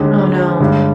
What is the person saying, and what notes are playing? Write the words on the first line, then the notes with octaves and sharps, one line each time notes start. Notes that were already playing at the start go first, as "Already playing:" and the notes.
Oh, no.
Already playing: D#2 D3 G#3
G2 D3 G#3